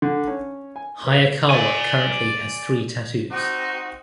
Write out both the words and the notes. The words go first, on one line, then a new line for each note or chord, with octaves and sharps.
Hayakawa currently has three tattoos.
D3
C#4
G#5
B4
D5 G#5
C4 D#4 F#4